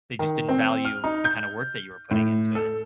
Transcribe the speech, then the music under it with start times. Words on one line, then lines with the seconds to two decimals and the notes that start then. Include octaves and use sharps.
they just didn't value the kind of work that you were putting into it.
0.19 D#3
0.49 C4
0.85 F6
1.04 D#4
1.25 G6
2.11 A2
2.55 A4